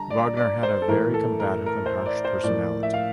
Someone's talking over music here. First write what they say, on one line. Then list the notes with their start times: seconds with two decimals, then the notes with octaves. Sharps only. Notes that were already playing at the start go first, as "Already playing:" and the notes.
Wagner had a very combative and harsh personality.
Already playing: D3 G3 A5 A#5
0.10 D5
0.37 D5
0.63 C5
0.82 A4
0.88 A2 E3 A#3 E4 A#4
1.14 A4
1.40 A#4
1.66 A#4
1.86 C5
2.06 D5
2.25 C5
2.43 A2 F3 A#3 D5
2.83 E5
2.93 F5